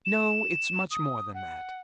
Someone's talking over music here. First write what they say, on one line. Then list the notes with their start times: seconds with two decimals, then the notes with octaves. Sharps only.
No, it's much more than that.
0.05 E7
0.91 D#6
1.34 F#5